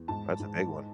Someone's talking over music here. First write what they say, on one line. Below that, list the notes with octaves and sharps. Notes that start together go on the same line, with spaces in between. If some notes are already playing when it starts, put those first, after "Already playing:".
That's a big one.
Already playing: E2
G#2 A5
G#2
G#3